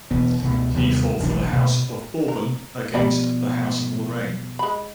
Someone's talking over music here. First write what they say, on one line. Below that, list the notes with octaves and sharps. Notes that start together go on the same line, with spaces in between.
He fought for the House of Bourbon against the House of Lorraine.
E1 B2 B3
C#2 B2 A3
D#2 C3 G3 B3
F#1 B1 E3 D4
B2
A#4
B2 F3 G3 B3 D5 B5
G#3 B5